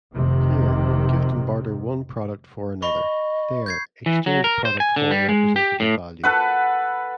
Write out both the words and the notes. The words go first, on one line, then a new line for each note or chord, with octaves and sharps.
Here, gift and barter-one product for another; there, exchange-product for representative value.
F1 C3 D#3
D#5 B5 C#6
G6 G#6 C7
E3
F#3
A#4
C5
G#5
D3
G3
G#3
G4
A2
A4 B4 F#5